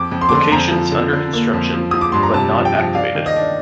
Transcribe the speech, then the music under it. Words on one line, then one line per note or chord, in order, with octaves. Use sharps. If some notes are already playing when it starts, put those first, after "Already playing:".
Locations under construction but not activated.
Already playing: F2 D6
F2
C6
D6
D3 C6
F2 A#5
F3
D3
D3
A#3
F2
F3
F3 D#6
D6
G2 C6
A#5
C3 A5
F3
G5
F3
D4 F5
D#3
D#5
D4